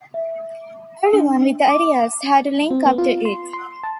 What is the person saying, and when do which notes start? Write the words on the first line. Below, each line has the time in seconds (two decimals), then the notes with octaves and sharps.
Everyone with ideas had to link up to it.
0.14 E5
1.13 D4
1.69 D6
2.71 C4
2.86 B3
2.98 F4
3.25 C6
3.53 C6
3.83 A5